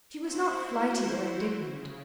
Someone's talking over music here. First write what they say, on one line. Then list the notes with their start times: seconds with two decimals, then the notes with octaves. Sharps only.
She was not flighty or indignant.
0.19 E4 F#4 C5
1.56 C#3